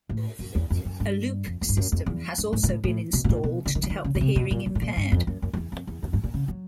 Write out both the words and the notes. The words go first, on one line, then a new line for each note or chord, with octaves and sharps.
A loop system has also been installed to help the hearing impaired.
A2
F#2
E2
F2
F#2
G2
F2
E2
G2
F#2
F2
E2
G2
G#2
A#2
A2
A2
B2
B2
A#2
B2
D3
D#3
E3
D#3
C#3
B2
C3
B2
A#2
A#2
A2
A#2
G2
F2
F#2
F#2
F2
E2
F2
E2
F2
G2
A#2
C#3
F#3